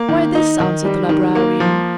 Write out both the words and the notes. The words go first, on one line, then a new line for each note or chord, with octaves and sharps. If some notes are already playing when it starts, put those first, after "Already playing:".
"Why this," answered the librarian.
Already playing: A#3
D#3
D#4
D#3
G3
D#3
A#3
F3